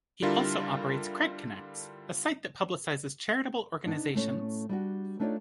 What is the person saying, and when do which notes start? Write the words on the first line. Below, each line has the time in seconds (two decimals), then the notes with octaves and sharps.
He also operates Craigconnects, a site that publicizes charitable organizations.
0.22 D3 G3 D4 E4 F4 A#4
3.86 B3 D4 D#4
4.14 A2 A3 C#4 C#5
4.69 G3 D4 F#4
5.20 A3 D4 D#4 F4 C#5 D5